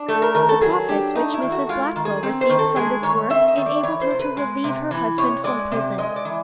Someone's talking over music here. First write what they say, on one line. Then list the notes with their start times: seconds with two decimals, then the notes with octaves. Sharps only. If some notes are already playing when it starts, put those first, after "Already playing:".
The profits which Mrs Blackwell received from this work enabled her to relieve her husband from prison.
Already playing: D4
0.08 A3 A4
0.22 A#4
0.35 D#3 A#4
0.49 A4
0.61 F#3 G#4
0.88 D4 G4
1.15 A3 D#4
1.34 E4
1.42 D#3
1.52 F#4
1.69 G#3 F4
1.96 D#3
2.05 G#4
2.23 C4
2.41 C5
2.49 D#3
2.59 A4
2.76 G#3 G#4
3.03 D#3 C#5
3.30 C4 E5
3.48 D#5
3.57 D#3
3.66 D5
3.83 E3 C#5
4.01 C5
4.10 C3
4.20 B4
4.37 G#3
4.64 C3
4.91 E3
5.18 C3 C#5
5.44 G#3 D5
5.71 C3
5.98 G#3 D#5
6.16 D5
6.25 E3